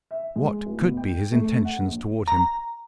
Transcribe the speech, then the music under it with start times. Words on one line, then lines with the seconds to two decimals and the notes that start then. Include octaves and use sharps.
What could be his intentions towards him?
0.11 E5
0.36 G#3
0.66 D1
0.80 B2
0.97 G5
1.32 A3
1.65 F#5
1.84 A#1
2.28 A#5